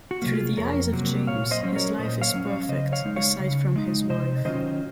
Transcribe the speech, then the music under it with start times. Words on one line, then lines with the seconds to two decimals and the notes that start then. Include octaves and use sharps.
Through the eyes of James, his life is perfect, aside from his wife.
0.11 F#4
0.22 C3 F#3 A#3
0.33 F4 G#4
0.57 F2 A#4 C#5
0.93 C3 F#3 A#3
1.27 A#2 C#5 F5
1.51 C5 D#5
1.63 F#3 C#4 C5
1.75 A#4 C#5
1.98 A#2 C5 D#5
2.21 C#5 F5
2.34 F#3 C#4
2.45 C#5 F5
2.69 C#3 C5 D#5
2.92 C#5 F5
3.05 G#3 D#4
3.16 C#5 F5
3.39 C#3
3.76 G#3 D#4
4.09 C3 C5 D#5
4.45 D#3 F#3 C#4 F4 C5 D#5